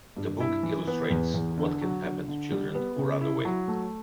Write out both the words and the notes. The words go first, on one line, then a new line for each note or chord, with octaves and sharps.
The book illustrates what can happen to children who run away.
G2
E4
E3
B3
E2
E2
D3
F#3
D3
D3
G3
B3
C#3
E4
F#3
A3